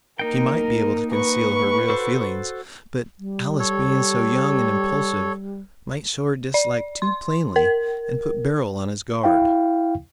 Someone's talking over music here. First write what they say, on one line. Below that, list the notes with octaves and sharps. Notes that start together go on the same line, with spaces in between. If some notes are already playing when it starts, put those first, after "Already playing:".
She might be able to conceal her real feelings, but Alice being so young and impulsive might show her dislike too plainly and put Beryl on his guard.
A#3 D#4 A#4 G5
B4 C#6
F#4 A4 C5
G3
A4 C#5
D5
C6
A#4
E4 F5 G5